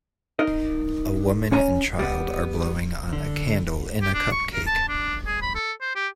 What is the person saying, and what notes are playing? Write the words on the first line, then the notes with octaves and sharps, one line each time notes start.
A woman and child are blowing on a candle in a cupcake.
D#4 A#4 D#5
C#4 C#5 G#5 A#5
G3 B3
D3
G4
D4
C#6
A#4
A5
D4
G#4
B5
A4
C5
G4